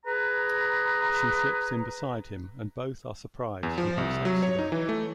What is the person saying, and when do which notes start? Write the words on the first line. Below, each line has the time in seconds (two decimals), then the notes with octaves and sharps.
She slips in beside him and both are surprised and have sex together.
0.05 G#4 B4 A#5
3.63 E2
3.78 F3
3.98 C2
4.25 F#3
4.43 C#5
4.59 D#4
4.72 E3
4.89 A3